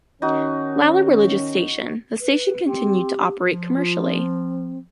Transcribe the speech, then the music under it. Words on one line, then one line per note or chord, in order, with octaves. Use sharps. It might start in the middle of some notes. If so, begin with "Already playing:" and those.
While a religious station, the station continued to operate commercially.
D#3 C#4 D#4 F#4
B4
C4 G4
F3
F4
C4